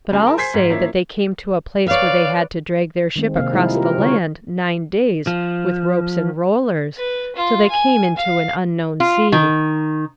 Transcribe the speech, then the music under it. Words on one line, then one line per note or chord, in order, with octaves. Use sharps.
But all say that they came to a place where they had to drag their ship across the land nine days with ropes and rollers, till they came into an unknown sea.
C#3 F#3 G#3 G#5
G#4 A#4 A5
C5 G#5 G#6 B6 C7
G#2
F3 A#3 C#4 E4
B4 C#5 D5 F5
D#3 G#3 C4
C3 A#3 C4 F5
F3 G3 G#3 D#4 E4 G#4
F4 G4 A#4
D3 C#5
F3
B4
F4
G#5
F5
F4
D#3